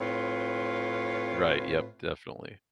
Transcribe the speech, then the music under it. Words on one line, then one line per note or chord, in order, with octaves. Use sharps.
Right, yep, definitely.
A2 C4 F4 B4 C#5